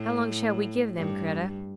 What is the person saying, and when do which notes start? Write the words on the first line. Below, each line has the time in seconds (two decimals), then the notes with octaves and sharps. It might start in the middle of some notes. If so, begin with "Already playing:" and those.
"How long shall we give them, Kreta?"
Already playing: A2
0.96 G2